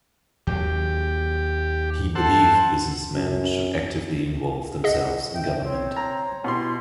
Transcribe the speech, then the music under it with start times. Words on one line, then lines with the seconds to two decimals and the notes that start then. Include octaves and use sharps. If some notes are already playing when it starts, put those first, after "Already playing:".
He believed businessmen should actively involve themselves in government.
0.47 D#2 F#3 G4
2.15 A4 C5 F#5 A5
3.12 F#2
4.84 G#4 D#5 F#5
5.35 E5 G5
5.65 C4 C#5
5.97 A#5
6.44 B2 E4 G4 C6